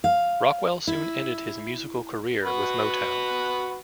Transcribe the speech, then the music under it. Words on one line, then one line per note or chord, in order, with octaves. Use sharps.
Rockwell soon ended his musical career with Motown.
F5
E4
F#4 B4 F#5